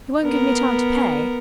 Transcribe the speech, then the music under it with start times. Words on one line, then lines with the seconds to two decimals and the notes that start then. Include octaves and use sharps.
He won't give me time to pay.
0.24 B3 A#4